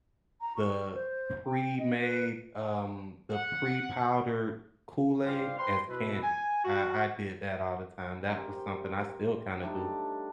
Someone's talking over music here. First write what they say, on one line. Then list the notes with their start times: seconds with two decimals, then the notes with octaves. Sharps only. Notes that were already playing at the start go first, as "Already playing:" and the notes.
the pre-made, um, the pre-powdered Kool Aid as candy. I I did that all the time, that was something I still kinda do.
0.41 A#5
0.57 C#6
0.94 C5
1.45 G5
1.78 D#5
2.00 B4
3.31 F#5
5.25 G2 F4 G4 C5 D5 F5
5.58 B4 C5 G5 C6
5.89 B2 E4 B4
6.23 G#5
6.64 F#4
8.28 C#4 G4 A#4 C5
8.54 C5 G5
9.62 G3 A3 D4 D#4